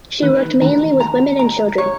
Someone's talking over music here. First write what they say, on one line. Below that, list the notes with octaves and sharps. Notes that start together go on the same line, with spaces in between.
She worked mainly with women and children.
D#3 B4
D#3 A#5
A#5
A#5
C#5